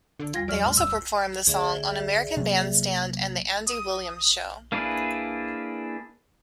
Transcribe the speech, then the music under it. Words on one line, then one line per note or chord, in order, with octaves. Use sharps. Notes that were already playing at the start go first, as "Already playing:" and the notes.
They also performed the song on American Bandstand and the Andy Williams Show.
D3
E2 G3 F4 G#6
D2 F#3 D5 F6
A2 C6
D1 E6
D2 D3 G#4 D5 E5
C3 F#3 A#3
D#6
A#3 D4 E4 G#4 B4